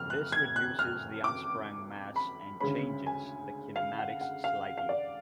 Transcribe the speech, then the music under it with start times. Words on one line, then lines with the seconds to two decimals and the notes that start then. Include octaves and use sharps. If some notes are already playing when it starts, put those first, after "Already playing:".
This reduces the unsprung mass and changes the kinematics slightly.
Already playing: F#1 F2 F6
0.10 F#6
0.32 G#6
0.56 F#6
0.79 F6
1.24 D6
2.16 B5
2.60 D2 C#3 G#3 C#4 B5
3.06 G#5
3.76 F5
3.98 F#5
4.21 F#5
4.44 F5
4.78 F5
4.89 D5